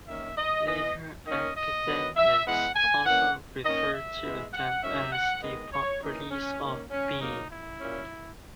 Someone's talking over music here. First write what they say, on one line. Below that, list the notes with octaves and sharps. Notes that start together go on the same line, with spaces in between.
Later academics also referred to them as the properties of being.
D#3 A#3 C#4 E5
D#5
E3 B3 D#5
D#3 A#3 C#4 D#5
D#5
D#3 F#3 B3
E5
E3 G#3 B3 F#5
G#5
E3 A#3 C#4 F#5
D#3 A#3 C#4 D#5
E5
E3 G#3 B3
F#5
D#3 F#3 C#4 E5
F#5
D#3 G#3 B3 D#5
C#5
E3 A#3 C#4 D#4
C#4
D#3 A#3 C#4
C#4
C#3 F#3 A#3 D#4
E4
A#2 F#3 C#4